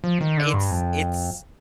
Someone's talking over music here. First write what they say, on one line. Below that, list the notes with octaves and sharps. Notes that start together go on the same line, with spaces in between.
It's it's
F3
D#3
D3
G2
F2